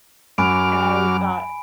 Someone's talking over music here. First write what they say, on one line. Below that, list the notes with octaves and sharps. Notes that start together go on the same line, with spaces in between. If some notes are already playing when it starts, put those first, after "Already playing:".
and I w thought
F#2 F#3 G#5 B5 D6 F6 D7